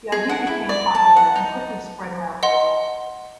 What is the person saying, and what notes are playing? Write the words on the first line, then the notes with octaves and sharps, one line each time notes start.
The idea became popular and quickly spread around the world.
G#4
F#5
E4
D5
A5
F#5
D#4
D#5 F#5 C6